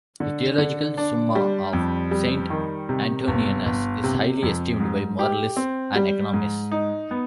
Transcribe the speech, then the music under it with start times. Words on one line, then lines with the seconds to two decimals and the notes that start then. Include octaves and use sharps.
The theological summa of Saint Antoninus is highly esteemed by moralists and economists.
0.20 D3
0.58 D3
0.98 D4
1.35 G3
1.73 F2
2.11 G3
2.50 D#3
2.89 C3
3.27 G1
3.65 G1
4.04 C3
4.43 F2
4.80 G#2
5.19 G4
5.56 C4
5.95 G3
6.34 G#2
6.72 D#4
7.11 B3